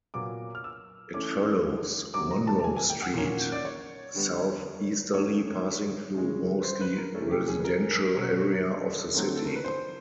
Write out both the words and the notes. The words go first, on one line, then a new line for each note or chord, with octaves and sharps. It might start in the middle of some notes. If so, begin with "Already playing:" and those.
It follows Monroe Street southeasterly passing through mostly residential area of the city.
A#2 F#3 B3 D6
F6
E6
E3 A3 C#4 D6
C3 D#3 F#3 D6
A#5
A5
A5
G#5
G#5
G5
F#5
A#2 F#3 A#3 C#4
D5
C#5
D3 G3 B3
D#3 F#3 A3 C#4 C#5
C#3 E3 G#3
B4
C5
B4
A#4
C3 E3 A3 C#4 A4
G4
G#4
B4
A#4
B2 F#3 A#3 C#4
D3 F#3 A3 C4
A4
A#4
B4
C5